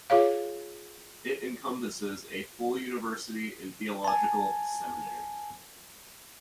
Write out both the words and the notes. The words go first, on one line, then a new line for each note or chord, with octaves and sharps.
It encompasses a full university and theological seminary.
F4 G#4 C#5 F5
G#5 A5